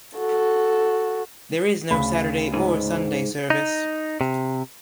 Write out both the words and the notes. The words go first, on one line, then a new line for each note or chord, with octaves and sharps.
There is no Saturday or Sunday service.
F#4 A4
D2 C#3 B5
G#2
D#4
C3